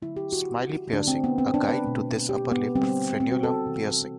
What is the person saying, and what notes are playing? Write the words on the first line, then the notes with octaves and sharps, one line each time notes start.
Smiley Piercing - A guide to this upper lip frenulum piercing.
D3 F#3 A3 E4
G4
F#4
D3 A3 D4
C4
B3
C4
D4
B4
B2 A3
G4
B3
D3 G3 C4
C4
F#4
A4
C3 E3 G3